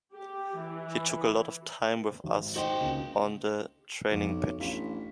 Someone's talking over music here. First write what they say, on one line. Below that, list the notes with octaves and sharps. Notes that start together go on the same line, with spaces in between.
He took a lot of time with us on the training pitch.
G4
E3
G#1
D#4 F#4 C5 G5
C#2 A#3 D4
B1 F2
C#5
A1 D4 F5 B6